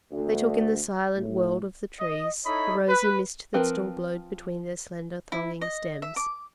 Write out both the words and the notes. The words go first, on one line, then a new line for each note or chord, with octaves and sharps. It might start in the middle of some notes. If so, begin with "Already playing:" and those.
They took in the silent world of the trees, the rosy mist that still glowed between their slender, thronging stems.
D2
A2
D#5
D#4 E4 A4 C#5 D#5 B5
B4
F3 C4 A#4 B4
E4
D#5
E5
D6